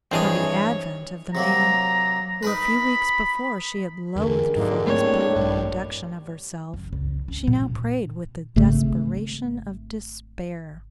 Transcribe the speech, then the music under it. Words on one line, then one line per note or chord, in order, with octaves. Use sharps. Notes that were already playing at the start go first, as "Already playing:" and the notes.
For the advent of the man who a few weeks before she had loathed for his brutal abduction of herself she now prayed with the desperation of despair.
G2 E3 C4 D4 G#4 C#5 D#5
C3 F#3 A#3 A#5
D#4 A#4 B4 B5
E2 D3 G#3 G4 A#4
G#2 D3 F#3 A#3 D#4
A2 G3 A3 A#3 C4 D4 C#5
A#1 G2
F#1
C#2
C#4
A#2
G#1 C#3 A3